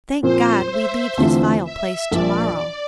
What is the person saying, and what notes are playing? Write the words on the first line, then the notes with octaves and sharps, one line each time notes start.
Thank God, we leave this vile place tomorrow.
A#2 F3 C4 C5
E5
E2 D3 A3 C4 F4
E5
A#1 A#2 F3 D5